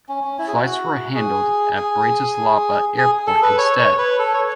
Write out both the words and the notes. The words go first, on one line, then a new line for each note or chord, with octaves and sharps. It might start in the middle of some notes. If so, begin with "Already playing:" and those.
Flights were handled at Bratislava Airport instead.
C#4
C#4
E4
G#4
F#4
G#4
G#4
G#4
A4
B4
C#5
C#5
B4
A4
C#5